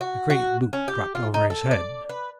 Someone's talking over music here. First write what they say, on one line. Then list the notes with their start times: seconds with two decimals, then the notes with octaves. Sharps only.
The great loop dropped over his head.
0.01 F#4
0.30 F#4
0.73 C#4
0.88 G4
1.15 F4
1.34 D#4
1.50 A4
1.71 D5
2.09 B4